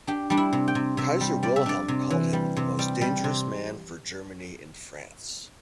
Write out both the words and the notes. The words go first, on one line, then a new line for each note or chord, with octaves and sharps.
Kaiser Wilhelm called him "The most dangerous man for Germany in France".
D4 G4
G3 D4
E4
C3
G5
C3
C3 E5
G3
G3 D5
E5
D4 D5
C3
E3
G3
C3
G3
G3
C3